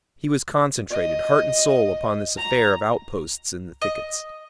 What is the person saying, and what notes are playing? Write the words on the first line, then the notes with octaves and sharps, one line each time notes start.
He was concentrated, heart and soul, upon this affair of outposts in the thickets.
D#5
A#5
D#5